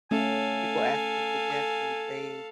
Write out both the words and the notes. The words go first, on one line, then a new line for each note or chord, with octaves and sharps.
people ask for suggestions, they
A3 C#4 A4 F5 G#5